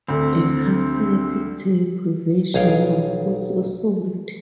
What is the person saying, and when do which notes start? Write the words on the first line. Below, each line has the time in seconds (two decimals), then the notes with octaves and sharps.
A cassette tape version was also sold.
0.08 D2 D3 C4
2.54 B1 G#4 C#5 F5 G5